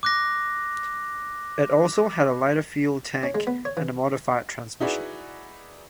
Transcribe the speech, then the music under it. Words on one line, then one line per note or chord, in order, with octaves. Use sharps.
It also had a lighter fuel tank and a modified transmission.
D6 F#6 A#6
C#4
G#3
B3
C#5
E3
D#4 E4 F#4 G#4 B4 D5